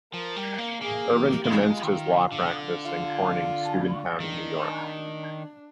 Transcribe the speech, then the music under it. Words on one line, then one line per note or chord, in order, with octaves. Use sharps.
Irvine commenced his law practice in Corning, Steuben County, New York.
F3 A#4
G3
A#3
A#3 G#4
G4
A#3
G#3 F4
D#3
D3
D3
F4
D#3 D4